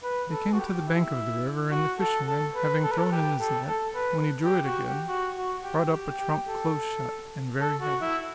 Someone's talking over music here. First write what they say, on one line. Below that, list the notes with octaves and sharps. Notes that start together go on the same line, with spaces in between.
They came to the bank of the river, and the fisherman, having thrown in his net, when he drew it again, brought up a trunk close shut, and very heavy.
B4
A4
F#4
G4
E4
F#4
A4
A4
B4
A4
B4
A4
G4
A4
A4
B4
G4
F#4
G4
F#4
F#4
G4
G4
G4
A4
A4
F#4
E4